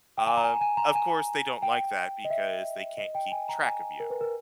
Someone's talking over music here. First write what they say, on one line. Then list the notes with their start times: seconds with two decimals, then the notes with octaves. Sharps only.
um, of course, they don't like that because they can't keep track of you,
0.18 G5
0.27 G#5
0.37 A#5
0.44 G#5
0.61 G#5
0.77 A#5
0.95 G#5
1.63 G5
2.25 D#5
2.30 E5
2.98 D#5
3.15 G5
3.32 G#5
3.49 A#5
3.65 G#5
4.00 A#4
4.10 B4
4.21 A#4